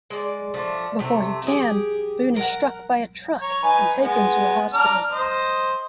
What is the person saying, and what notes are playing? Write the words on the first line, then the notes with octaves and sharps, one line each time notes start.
Before he can, Boone is struck by a truck and taken to a hospital.
G#3 D5
F3 A3 D4
C3 A3
G4 G#4
A#4 F#5
C#5 A#5
D#4 B4 G#5
G#3 B3
D4 A#5 F6
C5 D#5